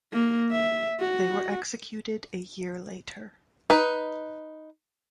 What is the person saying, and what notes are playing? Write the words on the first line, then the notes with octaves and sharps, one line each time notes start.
They were executed a year later.
A#3
E5
F#4
D#4 B4